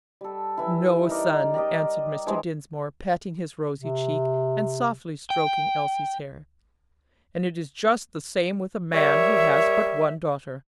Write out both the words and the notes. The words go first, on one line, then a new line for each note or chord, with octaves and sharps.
"No, son," answered Mr. Dinsmore, patting his rosy cheek, and softly stroking Elsie's hair, "and it is just the same with a man who has but one daughter."
G3 A4
E3 E4
D#4 A#4 D5
G4 A#4 D5 D#5
E3 G#3 D4 C5
C3
G5
G3 A#4 C#5 E5